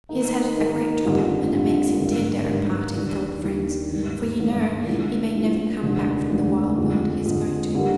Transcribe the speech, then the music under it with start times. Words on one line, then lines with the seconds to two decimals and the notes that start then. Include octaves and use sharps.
He has had a great trouble, and it makes him tender at parting with old friends; for you know he may never come back from the wild world he is going to.'
0.09 D#3 A#3 D#4
0.57 D#3 A#3 D#4
1.05 G1 F2 D3 G3
1.53 G1 F2 D3 G3
2.01 G#1 G2 D#3
2.48 G#1 G2 D#3
2.96 D#2 D#3 G3 D4 G4
3.44 D#2 D#3 G3 D4 G4
3.91 G#1 G2 D#3
4.39 G#1 G2 D#3
4.87 C2 A#2 F3 G#3 D4
5.35 C2 A#2 F3 G#3 D4
5.83 F1 D#2 D3 G#3 D4
6.30 F1 D#2 D3 G#3 D4
6.78 F2 D3 G#3
7.26 F2 D3 G#3
7.75 D3 G3 A#3